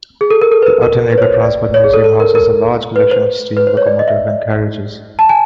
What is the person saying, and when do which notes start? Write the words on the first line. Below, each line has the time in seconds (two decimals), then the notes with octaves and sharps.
The Outeniqua Transport Museum houses a large collection of steam locomotives and carriages.
0.21 G#4
0.31 A4
0.42 A#4
0.51 A4
0.62 B4
0.66 A#4
0.83 A#4
1.12 B4
1.18 C#5
1.22 C5
1.33 C#5
1.43 D5
1.74 C#5
1.84 G#4
1.94 A4
2.04 A4
2.20 A#4
2.35 A#4
2.96 B4
3.11 C5
3.57 B4
3.67 C5
3.77 C#5
3.87 D5
3.99 D#5
4.08 E5
5.19 A5
5.29 G#5